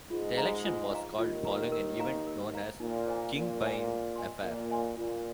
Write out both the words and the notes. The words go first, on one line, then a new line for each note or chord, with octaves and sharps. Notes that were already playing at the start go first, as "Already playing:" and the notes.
The election was called following an event known as the King-Byng Affair.
G#2 G#3 F4
G#4 F5 A#5
F4
G#4 F5 A#5
D#2 D#3 F4
G#4 F5 A#5
A#4
F5 A#5
A#4
F5 A#5
A#2 D#4
C5 F5 G#5
A#2 D#4
C5 F5 G#5
G#4
D#5 G#5 C6
A#2 G#4
D#5 G#5 C6
A#2 F4